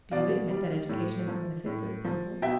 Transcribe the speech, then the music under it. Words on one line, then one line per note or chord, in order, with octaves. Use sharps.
"Do you admit that education is a benefit for the people?"
B2 D5 F5
G3
A2
F3
A2
F3
B2 E5 G5